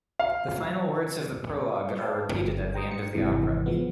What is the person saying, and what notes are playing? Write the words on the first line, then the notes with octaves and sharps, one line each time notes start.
The final words of the prologue are repeated at the end of the opera.
F5
B4 D5 F5 G5 A5
G1
G5 A#5 C6 D#6
C#7
G#1 F2 G#2 C3 E3
F3 G#3 B3